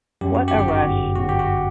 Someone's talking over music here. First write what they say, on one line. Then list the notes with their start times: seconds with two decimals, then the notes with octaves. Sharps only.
What a rush.
0.21 F#2 G4
0.35 F#4
0.48 G4
0.53 G1
0.59 G4
0.68 F#4
0.84 G1
1.16 G1 F#4
1.29 G4
1.39 F#4